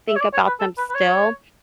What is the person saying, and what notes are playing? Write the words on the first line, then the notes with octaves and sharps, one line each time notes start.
think about them still,
E5
C#5
D5
C#5
B4
A4
B4
B4
C#5